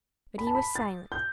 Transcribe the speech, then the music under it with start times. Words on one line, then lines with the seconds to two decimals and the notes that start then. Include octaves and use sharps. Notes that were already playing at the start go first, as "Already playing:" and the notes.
But he was silent.
0.38 B5
0.47 A5
0.55 B5
0.75 A6
1.12 G6